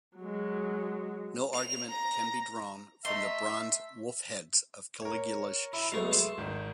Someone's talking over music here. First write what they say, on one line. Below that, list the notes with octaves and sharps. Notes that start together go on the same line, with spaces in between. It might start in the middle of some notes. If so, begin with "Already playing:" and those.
No argument can be drawn from the bronze wolf-heads of Caligula's ships.
F#3 G#3
F7
A#5
A3 D#5 E5 A#5 C6
A#4 C#5
E4
B1 G#3 A3 F5
A5 C6
G#1 D#3